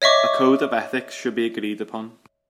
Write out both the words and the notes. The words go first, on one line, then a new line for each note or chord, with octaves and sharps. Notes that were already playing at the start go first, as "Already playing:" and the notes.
A code of ethics should be agreed upon.
C#5 D#5 E5 C#6 D6